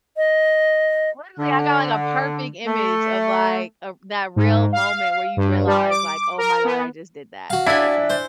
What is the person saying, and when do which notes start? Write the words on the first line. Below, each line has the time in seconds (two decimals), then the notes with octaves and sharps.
Literally, I got, like, a perfect image of, like, uh that real moment where you realize, like, "Oh my god, I just did that, like wh"
0.17 D#5
1.38 D3
2.66 A3
4.36 G#2
4.73 F5
5.37 G2
5.66 G3
5.90 D6
6.38 A#4
6.64 B3
7.50 F#4 F5
7.67 D4 E4 D5 E5 G#5
8.10 C5